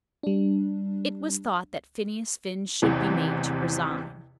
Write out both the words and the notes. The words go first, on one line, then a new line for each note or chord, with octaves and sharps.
It was thought that Phineas Finn should be made to resign.
G3 D4
A1 E2 C3 E3